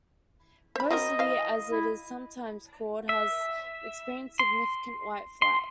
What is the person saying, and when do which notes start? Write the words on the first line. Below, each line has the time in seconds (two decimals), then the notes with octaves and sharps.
"Mo City", as it is sometimes called, has experienced significant "white flight".
0.76 C5 B5
0.90 F#3 C4 A#4 D#5
1.19 E3 F5
1.71 E4
3.09 E5
4.39 C6
5.42 C6